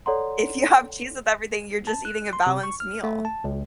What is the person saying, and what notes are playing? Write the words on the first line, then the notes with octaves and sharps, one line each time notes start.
If you have cheese with everything, you're just eating a balanced meal.
A4 C#5 D5 F#5 A#5 C6
A5
F#6
C6
C3
C#6
F6
A3
A5
C#2